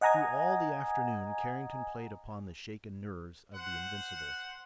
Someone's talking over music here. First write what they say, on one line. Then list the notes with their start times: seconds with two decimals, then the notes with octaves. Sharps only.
Through all the afternoon Carrington played upon the shaken nerves of the Invincibles.
0.01 D#5 F#5 G#5 A#5 D#6 G#6
3.55 C5 F#5